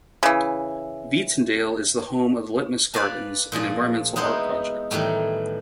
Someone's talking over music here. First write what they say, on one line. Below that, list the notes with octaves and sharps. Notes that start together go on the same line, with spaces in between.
Vintondale is the home of Litmus Gardens, an environmental art project.
C#3 E3
B4 D5 F5 G#5 A5
A#2 F3 G#4 D5
G#3 B3 D#4 E4 C5
A2 D#3 E3 G3 A3